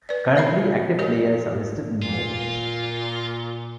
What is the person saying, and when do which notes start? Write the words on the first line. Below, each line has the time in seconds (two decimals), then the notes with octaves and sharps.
Currently active players are listed in bold.
0.09 B4 D5
0.36 A#4 C#5 E5 B5
0.99 G4 A#4 C#5 D#5
2.02 A#2 F4